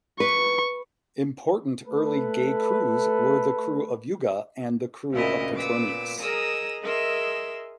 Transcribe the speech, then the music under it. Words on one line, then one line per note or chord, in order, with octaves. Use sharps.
Important early gay krewes were the Krewe of Yuga and the Krewe of Petronius.
B4 C#6
A3 A4 B4
D2 A#2 C#3 E4 A#4 D#5
A#2 B3 D6 E6
G#4 A#4 D#5 A#5 D#6 E6
G#4 A#4 D#5 E5 C6 E6